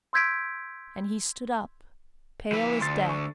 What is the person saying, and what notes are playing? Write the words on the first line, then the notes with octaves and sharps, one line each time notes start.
And he stood up, pale as death.
C6 E6 G6 G#6 B6 D7
F3 B4
D2 C6 A6 C7
C#6